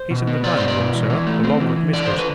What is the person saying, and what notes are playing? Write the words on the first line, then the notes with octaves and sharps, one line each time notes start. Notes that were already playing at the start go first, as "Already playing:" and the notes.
'He's in the dining-room, sir, along with mistress.
Already playing: C5
B2
B3
B2 D5
B3 C5
D5
B2
E3
E3
A3
C4
E3
E3
D3 D5
D3 C5
B4